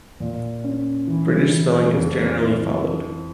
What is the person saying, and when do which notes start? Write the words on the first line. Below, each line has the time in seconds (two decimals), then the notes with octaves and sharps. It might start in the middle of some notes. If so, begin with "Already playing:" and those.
British spelling is generally followed.
0.20 A#2
0.64 C#4
1.07 E3
1.52 E3
1.95 F2
2.39 E4